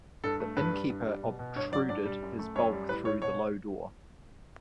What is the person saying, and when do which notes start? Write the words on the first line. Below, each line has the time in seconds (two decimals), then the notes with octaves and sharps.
The innkeeper obtruded his bulk through the low door.
0.24 G2 A4
0.40 A3
0.57 G2 B4
0.73 G3
0.90 G2
1.06 G3
1.23 B2
1.39 B2
1.56 G2 C#5
1.72 F#3 D5
1.89 G2 D5
2.06 G3
2.22 F#2
2.39 A3
2.55 F#2 C#5
2.72 G3
2.89 A2 B4
3.05 A2 C#5
3.22 B2 C#5